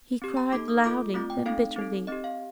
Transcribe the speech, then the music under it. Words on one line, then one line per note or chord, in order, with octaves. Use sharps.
He cried loudly and bitterly.
C4 G4
A#5
A#3 D#4 A4 D6
D#6
A#3 F4 A4 D6
A3 C4 F4 D6
G5
A3 C4 D#4 A4 F5
C4 D#4 A4
C4 G4 D#5
F5